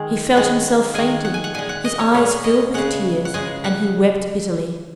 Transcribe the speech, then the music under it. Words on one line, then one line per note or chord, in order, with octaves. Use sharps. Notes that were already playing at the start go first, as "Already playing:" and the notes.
He felt himself fainting, his eyes filled with tears, and he wept bitterly.
Already playing: D#3 G#3
D#3 G#3
D#3 G#3 G#5
F#5
G#5
F#5
A#2 G#3 G#5
F#5
D#5
C#5
A#2 G#3 C#5
D#5
C#3 G#3 F#5
F#5
C#3 G#3 G#5
F#5